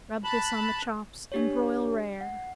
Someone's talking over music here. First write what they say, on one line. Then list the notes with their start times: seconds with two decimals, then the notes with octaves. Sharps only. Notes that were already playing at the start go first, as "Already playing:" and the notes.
Rub this on the chops and broil rare.
0.24 A5 B5 F#6
1.32 D4 G4 C#5
2.21 F#5